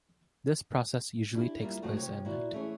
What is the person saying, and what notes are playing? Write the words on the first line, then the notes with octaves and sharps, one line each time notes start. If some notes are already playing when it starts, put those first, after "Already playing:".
This process usually takes place at night.
D4 E4 G4
G3 A#3 F4 E5
G#2 F3 F#3 A3 F#4
C3 F3 C#5
A#2 E4 F#4
E3 A3 C#4 G#4 C#5